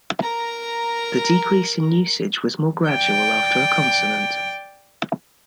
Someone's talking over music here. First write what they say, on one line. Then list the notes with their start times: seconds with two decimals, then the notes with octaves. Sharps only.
The decrease in usage was more gradual after a consonant.
0.22 A#4 A#5
2.86 D5 G5